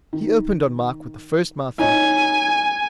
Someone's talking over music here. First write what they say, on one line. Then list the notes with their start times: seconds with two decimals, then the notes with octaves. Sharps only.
He opened on Mike with the first mouthful.
0.13 D#3
1.80 D#4 C#5 D#5 G#5